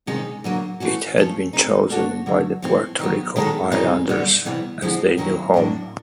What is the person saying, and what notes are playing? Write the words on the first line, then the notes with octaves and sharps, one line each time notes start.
It had been chosen by the Puerto Rico Islanders as their new home.
C3 D#3 G#3 C#4
D3 F#3 A#3
E3 A3 C#4 F#4
F3 A3 C#4 F4 A4
A3 C4 D#4
A3 D4 F#4 A4 C#5
D3 F#3 A3
F3 A3 C4 E4
D#3 F#3 B3
D#3 G#3 C#4 F#4 A4
C#3 E3 G3 C4 D#4
D#2 D3 G3 B3
C3 E3 G3 B3
D3 F3 G#3 C4 E4
D#3 F#3 A#3 C#4 E4
A2 F#3 A#3 D4